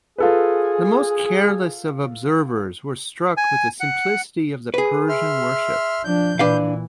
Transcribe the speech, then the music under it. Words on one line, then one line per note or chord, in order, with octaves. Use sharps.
The most careless of observers were struck with the simplicity of the Persian worship.
F4 G#4 A4 B4
G#5
F#5
G#4 B4
E5 C6 F6
F3 D4 G6
A#2 E3 D4 B4 F5